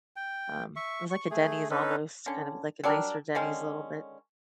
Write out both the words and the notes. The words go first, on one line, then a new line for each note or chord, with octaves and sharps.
Um, it was like a Denny's almost, kind of like a nicer Denny's a little bit
G5
E5 C#6
C#6
A3 G#4
C#4 D#4 A4 B4
D3 C#4
F#3 G3 D4 A#4
D3 D#3 G#3 C#4